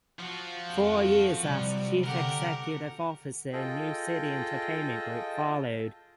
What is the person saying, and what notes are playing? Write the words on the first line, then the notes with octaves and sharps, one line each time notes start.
Four years as chief executive officer of New City Entertainment group followed.
F3 F#4
F2 G4 F#5
C3 G3
D3 G4 A#4 F#5
F4 G#4 A4 D#5 G5